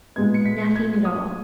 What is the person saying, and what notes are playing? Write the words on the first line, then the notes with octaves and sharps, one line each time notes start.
Nothing at all.
A#2 G#3 B3 G#6
C#7
B6
G#6
D#6